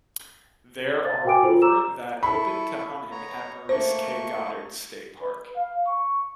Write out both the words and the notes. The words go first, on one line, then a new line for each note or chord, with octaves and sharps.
There are over that open to hunting at Maurice K. Goddard State Park.
C5 F5 A6
F#4 A#4 G5 G#5 D6 D7
F4 A4 C5
A#5 D6 E6 E7
E4 A4 B5 C#6
B3 C#5 A#5
A3 A#3 C5 C#6
B4
F5
C#6